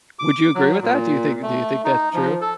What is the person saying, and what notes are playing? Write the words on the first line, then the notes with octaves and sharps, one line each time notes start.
Would you agree with that? Do you think do you think that's true?
D6
F#3
A#2
A3
D#4
F3
A4